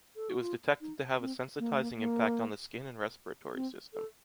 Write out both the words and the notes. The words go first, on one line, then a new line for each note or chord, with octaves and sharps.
It was detected to have a sensitizing impact on the skin and respiratory system.
A4
F#4
F4
D#4
C4
A#3
A3
A#3
A#3
C4
A4